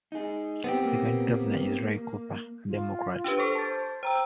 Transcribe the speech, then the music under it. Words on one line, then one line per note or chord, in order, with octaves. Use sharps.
The current Governor is Roy Cooper, a Democrat.
D#4 G#4
B3 C4 G4
A#3
F4
D4 G4 B4
A4 C5 C#6
C5 A5 A6
C5 G5 A#5 E6